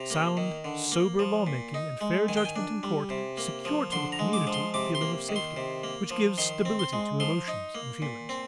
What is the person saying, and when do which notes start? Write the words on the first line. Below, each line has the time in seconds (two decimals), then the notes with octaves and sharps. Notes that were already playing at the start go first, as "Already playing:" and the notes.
Sound sober lawmaking and fair judgment in court secure to the community a feeling of safety which gives stability to emotions and feelings.
Already playing: C3 A#5
0.10 A#3
0.37 D#3
0.64 D3
0.92 A#3
1.19 F3
1.47 A#2
1.74 D#4
2.01 G#3
2.28 D#3 G#5
2.37 G5
2.45 G#5
2.56 D4
2.83 G3
3.10 C3
3.37 A#3
3.65 F3
3.92 D3 C6
4.12 A#5
4.19 G#3
4.33 D6
4.47 F3
4.54 C6
4.74 C3 D6
4.95 C6
5.01 A#3
5.29 D#3
5.36 C6
5.57 C3
5.84 A#3
6.11 F3
6.38 D#3 C6
6.65 C4
6.79 C6
6.93 G#3
7.20 F3 C6
7.48 D#4
7.75 A#3
8.02 A#2
8.29 C4